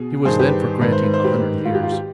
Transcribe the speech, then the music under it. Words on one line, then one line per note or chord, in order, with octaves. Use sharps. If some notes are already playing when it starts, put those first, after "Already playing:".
He was then for granting a hundred years.
Already playing: B2 G#4
G2 D#3 G#4 C5
G4 B4
G#2 D#3 B4
C5
B4
C5
G4 B4
G#2 D#3
F4
G4
F4
G4